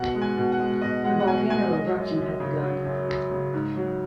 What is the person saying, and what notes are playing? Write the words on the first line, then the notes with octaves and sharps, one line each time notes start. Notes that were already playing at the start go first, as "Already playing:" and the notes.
The volcano eruption had begun.
Already playing: B2 F#5
G#3
G#5
B2
F#5
G#3
B2 D#5
G#3 F#5
F#5
B2 G#5
G#3 G#5
F#3 D#5
F#2
F#2
C#3
F#3
F#2
F#2
C#3
G#2
F#3